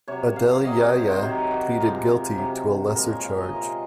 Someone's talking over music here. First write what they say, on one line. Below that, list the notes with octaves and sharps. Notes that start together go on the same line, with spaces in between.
Adel Yahya pleaded guilty to a lesser charge.
C3 F#3 C#5
F5
C3 F#3 D#5
C#5
C5
C5
C3 D#3 F#3 A#4
F#4
C3 F3 G#3 A#4
C3 F#3
A#2 F3 G#3 A#4
C#5
F5
D#5
C3 F3 G#3